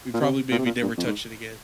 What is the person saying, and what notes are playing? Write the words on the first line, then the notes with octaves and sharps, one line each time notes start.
we probably maybe never touched it again
A#2
C3
A#2
C3
A#2
G2
F2
G#2